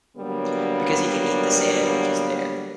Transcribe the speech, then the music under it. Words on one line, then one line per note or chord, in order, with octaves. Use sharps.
Because he can eat the sand which is there.
D3 F#3 G3 A#3 B3